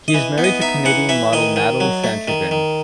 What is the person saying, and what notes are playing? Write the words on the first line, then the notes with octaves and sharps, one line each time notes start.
He is married to Canadian model Nathalie Sanschagrin.
D#5
E3
B3
D#5
D#4 E5
E3 F#5
E3 E5
D#3 D#5
D#3
F#3
A3
D#3
D#3